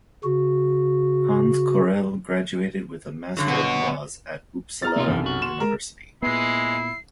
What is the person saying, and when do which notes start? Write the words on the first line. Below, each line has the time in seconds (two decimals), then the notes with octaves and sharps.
Hans Corell graduated with a Master of Laws at Uppsala University.
0.24 C#3 F#4
3.37 G2 D3 F#3
3.48 B3 F#4
4.82 A#5 F6 A6
4.96 C3 A#3 D#4 F4
5.08 B1 F#2 E3
5.26 F#4
5.42 C6 E7
5.60 G#3 A#4
6.22 A#2 G#3 B3 E4 C7